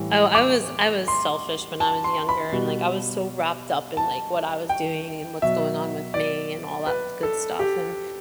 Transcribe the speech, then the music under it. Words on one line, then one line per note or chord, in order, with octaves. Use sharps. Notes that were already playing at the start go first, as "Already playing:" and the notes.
Oh, I was I was selfish when I was younger, and, like, I was so wrapped up in, like, what I was doing, and what's going on with me, and all that good stuff, and,
Already playing: A2 E3 G3
D6
C6
A5
C6
B5
B2 G3
A5
G5
B2 F#3 E5
D5
B4
A4
G4